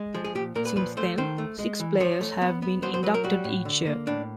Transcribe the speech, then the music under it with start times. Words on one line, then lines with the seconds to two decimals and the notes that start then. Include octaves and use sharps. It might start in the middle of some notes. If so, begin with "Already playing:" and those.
Since then six players have been inducted each year.
Already playing: G#3
0.14 F3 G#4
0.24 G#4
0.35 A#2 G4
0.55 A#2 A#4
0.65 B4
0.76 F3 B4
0.97 A3 C5
1.18 D#3 C5
1.38 A3
1.59 G#3
1.80 E3
2.00 F3 C#5
2.21 A3
2.42 B3
2.62 B3
2.82 F#3 C5
2.94 C5
3.03 F#3 B4
3.14 A#4
3.24 G3 F#4
3.44 A2
3.65 D3
3.87 A#3
4.07 A2 D4